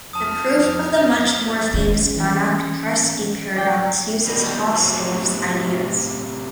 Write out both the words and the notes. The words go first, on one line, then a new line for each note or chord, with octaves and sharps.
The proof of the much more famous Banach-Tarski paradox uses Hausdorff's ideas.
F2 A5 D#6 F6
C#4
E3
D5 G5
B2 D#3 G3
A2 C3 F#3